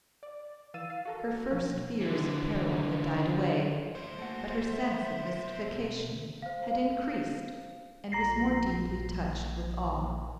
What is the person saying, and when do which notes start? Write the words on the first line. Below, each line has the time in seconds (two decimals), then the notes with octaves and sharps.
Her first fears of peril had died away, but her sense of mystification had increased and was more deeply touched with awe.
0.23 D5
0.74 E3 F5 E6 A6 D#7
0.90 F5
1.05 F#4 A4 A#4
1.50 B2 F3 F#3 A#3 C4 F#4
2.01 D3 E3
3.95 A2 A3 C5
4.18 A3 A#3 F#4 F#5
4.69 B2 E5
6.42 C5 F5
8.12 A#1 A#5 A#6 C7